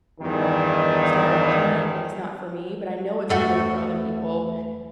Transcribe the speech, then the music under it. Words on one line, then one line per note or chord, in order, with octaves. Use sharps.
start watching it, like, it's not for me, but I know it's great for other people,
E2 G2 D#3
E2 A3 F#4